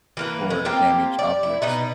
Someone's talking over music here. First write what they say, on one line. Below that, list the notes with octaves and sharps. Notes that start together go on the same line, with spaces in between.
or damage objects.
E3 A#3 B4
G#3
A#3 C4 F4 G4
D5
E4
B2 D#4 B4